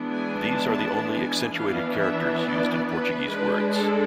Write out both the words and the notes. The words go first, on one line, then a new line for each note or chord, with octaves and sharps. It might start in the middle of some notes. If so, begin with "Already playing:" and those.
These are the only accentuated characters used in Portuguese words.
Already playing: E3 G#3 B3 D4
G#5
A5
A5
G#5
E3 B3 D4 F5
E5
D5
B4
G#3 D4 B4
A4